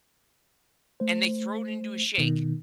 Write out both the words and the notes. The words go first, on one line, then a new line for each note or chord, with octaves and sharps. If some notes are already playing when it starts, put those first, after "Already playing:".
and they throw it into a shake.
A3 C5
B2 D#3